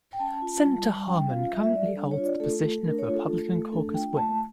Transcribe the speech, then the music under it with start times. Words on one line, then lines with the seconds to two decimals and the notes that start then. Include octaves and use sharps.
Senator Harman currently holds the position of Republican Caucus Whip.
0.13 G5
0.19 C#4 A5
0.42 F4
0.64 G3
0.86 G3
1.08 C#4 G5
1.30 F4 F5
1.52 G3 E5
1.64 E5
1.74 G3 D5
1.85 A4
1.96 D4
2.11 C#5
2.18 F4
2.25 D5
2.40 A3 A4
2.62 A3
2.84 D4 A#4
2.99 C#5
3.06 F4
3.14 A4
3.29 A3
3.51 A3
3.72 D4 A4
3.94 F4 G5
4.17 A3 A5